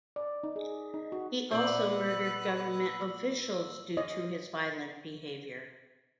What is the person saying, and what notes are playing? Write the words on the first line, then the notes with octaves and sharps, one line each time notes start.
He also murdered government officials due to his violent behavior.
D5
D#4
G#4
D#4
F#4
A#2 B3 C5 D5 E6 F#7
C#5 D#5